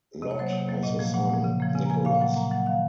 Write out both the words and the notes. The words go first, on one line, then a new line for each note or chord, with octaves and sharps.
Lott has a son, Nicholas.
C3 D#5
C#5
F#3 A#3 C5
C#5
C3
F#3 A#3
A#2 D#5
F3 A#3
A#2 F#5
F3 A#3
C#3
F3 A#3
C#3 G#5
A#5
F3 A#3 G#5
A#2 F5
F#3 A#3 F#5
A#2 A#5
F#3 A#3 F#5
D#3 F5